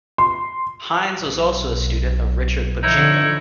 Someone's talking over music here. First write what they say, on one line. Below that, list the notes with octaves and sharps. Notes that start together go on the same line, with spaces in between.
Hines was also a student of Richard Pochinko.
C6
B1
D3 F3 D#4 E4 C#5